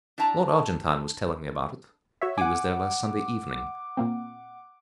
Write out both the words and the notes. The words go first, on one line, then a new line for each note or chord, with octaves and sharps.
Lord Argentine was telling me about it; he was there last Sunday evening.
D4 E4 G5 A5 A#5
F#4 C#5 E5
F#5 G#5 D6
A#2 A#3 C4